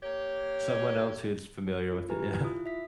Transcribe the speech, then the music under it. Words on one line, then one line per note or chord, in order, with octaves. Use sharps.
Someone else who's familiar with it. yeah.
A#3 G4 C#5
F4
E4 G4 B4 G#5 A#5
E4 F4 D#6
E5 B6